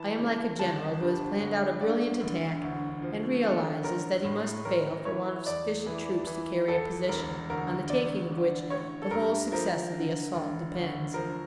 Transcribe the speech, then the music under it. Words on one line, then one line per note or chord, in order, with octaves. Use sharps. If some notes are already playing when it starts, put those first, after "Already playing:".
I am like a general who has planned out a brilliant attack, and realises that he must fail for want of sufficient troops to carry a position, on the taking of which the whole success of the assault depends.
Already playing: E3 A5
C#3
G1 A5
G2
G1
D3 D5
E1
D2
F3
D3 A4
A1 A#4
A2
A1 A#4
E3 C#5
E2 D5
E3
E3
E2 A4
E1 A#4
D2 A#4
E1 D5
D3
A1 C#5
A4
G2 A#4
F3 A#4
D3
E1
D2
F3 A#4